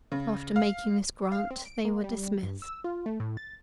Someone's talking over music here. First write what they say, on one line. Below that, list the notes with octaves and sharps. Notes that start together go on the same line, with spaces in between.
After making this grant, they were dismissed.
C#3
F5
F5
C4
D7
A#3
G3
G2
E6
F4
A3
A2
A6